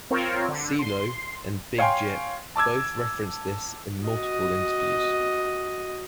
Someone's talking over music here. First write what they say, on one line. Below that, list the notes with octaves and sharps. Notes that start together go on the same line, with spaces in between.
Cee-Lo and Big Gipp both referenced this in multiple interviews.
C4 F4 A#4 C#5
D3
C6
C#5 F5 G5 G#5 C6
A5 D6 E6 G#6
F#4 D#5